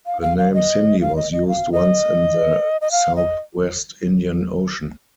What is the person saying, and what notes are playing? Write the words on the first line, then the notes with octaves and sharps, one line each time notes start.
The name Cindy was used once in the Southwest Indian Ocean.
F5
F5
F5
D#5
F5
D#5
D#5
F5
D#5
D#5
F5
D#5